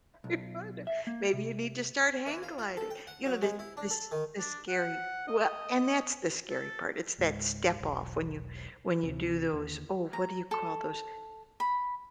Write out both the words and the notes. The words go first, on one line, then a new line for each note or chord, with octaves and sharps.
I wonder. Maybe you need to start hang gliding. You know, the this this scary we and that's the scary part. It's that step off when you when you do those oh, what do you call those
B1
E5
A#3
C3
E3
F4
F4
A4
G5
F#5
F#3
G#3
E4
D4
A4
D#3
D4
F#5
D#5
A4
C#2 G#2
E1 B1
D2 C3 E3
D#2 D3
A#5
A4
B5